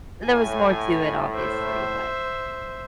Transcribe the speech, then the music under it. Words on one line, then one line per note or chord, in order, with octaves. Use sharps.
there was more to it, obviously, but
A2 G#5
C5 E5